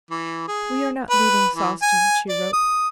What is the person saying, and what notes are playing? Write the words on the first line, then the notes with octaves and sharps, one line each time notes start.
"We are not leaving Sawston," she wrote.
E3
G#4
B4
E3
G#5
D5
D#6